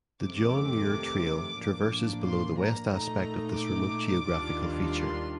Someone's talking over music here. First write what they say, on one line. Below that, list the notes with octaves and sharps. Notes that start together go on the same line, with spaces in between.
The John Muir Trail traverses below the west aspect of this remote geographical feature.
F2 C3 D#3 A3 D6
A2 F3 A#3 D4
C6
A#5
A#2 A3 D#4 A#5
D6
D#2 D#3 G3 D4 F4
C6